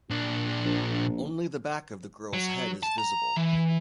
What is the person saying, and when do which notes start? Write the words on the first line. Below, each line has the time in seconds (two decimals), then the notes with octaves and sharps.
Only the back of the girl's head is visible.
0.10 A#2 D4
0.65 A#1
2.33 F#3
2.83 A5
2.98 A#5
3.36 E3